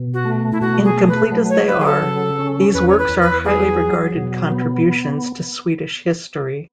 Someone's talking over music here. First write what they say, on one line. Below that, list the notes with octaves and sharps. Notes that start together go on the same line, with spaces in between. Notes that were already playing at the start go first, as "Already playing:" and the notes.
Incomplete as they are, these works are highly regarded contributions to Swedish history.
Already playing: B2
F#4
A3
E4
B2 F#4
G#4
A3
B4
F#3
C#5
F#3 B4
G#4
A4
C#3
C#4
E2 B4
C#5
B4
E2
B4
F#3 G#4
F#3
B2
B3